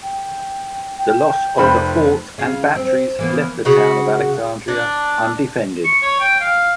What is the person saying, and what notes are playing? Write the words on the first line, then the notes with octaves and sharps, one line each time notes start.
The loss of the forts and batteries left the town of Alexandria undefended.
G5
G5
F1 C5 B5
C#3 F4
C4
E3 A#3 B3
C#3 F#4
D4
C#6
C#5
G5
F5